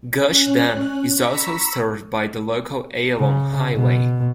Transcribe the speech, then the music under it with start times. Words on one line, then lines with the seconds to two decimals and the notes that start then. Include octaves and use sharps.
Gush Dan is also served by the local Ayalon Highway.
0.25 C#4 F#6
1.22 A#5 B5 C#6 E6 B6
3.17 C#3
3.76 B2